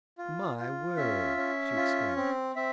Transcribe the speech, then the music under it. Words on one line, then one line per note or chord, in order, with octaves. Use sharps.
'My word!' she exclaimed.
F4
F4
C#4 E5
C#4
F4
C4
C4 E5